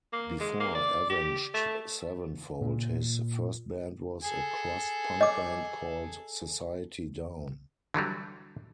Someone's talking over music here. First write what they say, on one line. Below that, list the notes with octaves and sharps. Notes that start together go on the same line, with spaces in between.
Before Avenged Sevenfold, his first band was a crust punk band called Society Down.
A#3
G#3
A#3
D5
G4
A3
A#2
G#4 A4
D#5 D6
D3 E3 F#3 G3